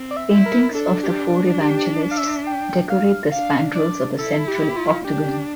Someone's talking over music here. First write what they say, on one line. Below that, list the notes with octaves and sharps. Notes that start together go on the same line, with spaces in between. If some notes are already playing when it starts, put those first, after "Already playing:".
Paintings of the four evangelists decorate the spandrels of the central octagon.
Already playing: C4
D5
E5
E4
A#4
D4 A4
G4
G4
F5
E5
G5
F5
D4 F5
D5
E4 A4
G4
G4
F4
D4 G4